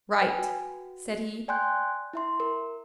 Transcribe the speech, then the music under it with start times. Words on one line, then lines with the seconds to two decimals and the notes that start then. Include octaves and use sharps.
"Write," said he.
0.21 B4 G5 G#5
0.39 F#4
1.48 D5 G5 G#5 C6 F#6 G6
2.13 E4 E5 C6
2.40 A#4